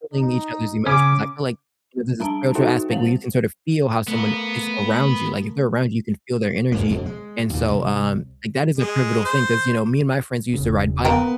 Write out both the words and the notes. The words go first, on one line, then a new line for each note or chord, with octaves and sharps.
feeling each other's emotions. I feel like, you know, there's a spiritual aspect where you can sort of feel how someone is around you. Like if they're around you, you can feel their energy, and so, um, like that is a pivotal thing 'cause you know, me and my friends used to ride bi
D#4
C#3 C#4 D6
G3 D4 A5 A#5 D7
D#4 F#4 A4 C5 E5 G5
G3 G#3 C4 C5 F7 F#7
A3 B3 A#4
G2 G#3 A#3
F2 B2 D3
G#3
D#2 A#2
C2
G#3
C5
E1 C#3
A#3 B3 A#4 G5